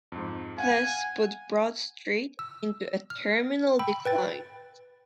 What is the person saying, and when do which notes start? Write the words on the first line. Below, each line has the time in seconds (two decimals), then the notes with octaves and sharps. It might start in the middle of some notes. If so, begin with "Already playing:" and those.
This put Broad Street into a terminal decline.
0.12 F2 G#2
0.58 F5 F#5 G#5
2.39 E6
3.10 F6
3.79 G5 B5 E6
4.05 B4 G5 A6